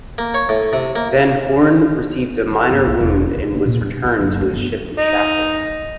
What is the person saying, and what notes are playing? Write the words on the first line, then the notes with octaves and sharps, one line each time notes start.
Van Hoorn received a minor wound and was returned to his ship in shackles.
A#3
C#5
A2
C3
A#3
E3
G1
A#1
E1
D2
A#3
A#2
G2
E4
F#1
A3
G1
D#4